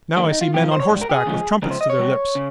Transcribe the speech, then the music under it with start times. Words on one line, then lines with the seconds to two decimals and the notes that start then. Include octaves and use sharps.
Now I see men on horseback with trumpets to their lips.
0.17 G2 D#3 G3 A#3
0.30 D#4
0.41 F4
0.53 F2 C3 F3 G4
0.62 F4
0.71 C5
0.80 C#5
0.90 G#2 G3
1.01 A#4
1.09 G4
1.14 G#4
1.26 D#2 C#3 F3 G#3
1.62 C#2 C#3 F3 A#4
1.71 C5
1.81 D#5
1.90 C#5
1.99 C2 A#2 G3
2.35 C#3